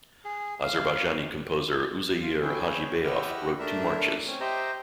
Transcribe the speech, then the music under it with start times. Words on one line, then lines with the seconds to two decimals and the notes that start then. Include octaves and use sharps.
Azerbaijani composer Uzeyir Hajibeyov wrote two marches.
0.25 G#4
0.63 F5
2.22 F4
2.42 B3 C#4 G#4 G5
3.04 E4 G4 D#5 F#5 E6 F6
3.59 A3 D4 A#4 E5
4.27 C4 C#4
4.40 G4 C5 D#5 E5 G5 A#5